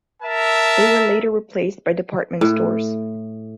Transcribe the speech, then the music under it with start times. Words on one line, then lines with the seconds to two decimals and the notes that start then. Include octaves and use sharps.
They were later replaced by department stores.
0.22 A#4 E5 A5
2.41 A2